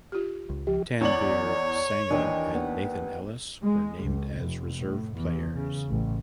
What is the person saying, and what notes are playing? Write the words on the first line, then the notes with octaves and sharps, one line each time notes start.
Tanveer Sangha and Nathan Ellis were named as reserve players.
F4 G4
C#2
F3 G4
E2 C#5 D5 F#7
D#2 E3 D4 D#5
B3
G#3
C#2
F1
A2
E2
C#3
A1